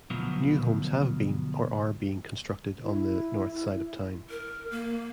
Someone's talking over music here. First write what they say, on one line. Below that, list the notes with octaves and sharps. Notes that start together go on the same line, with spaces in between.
New homes have been or are being constructed on the north side of town.
D2 B2 F3 F#3
E4
A#4
A#3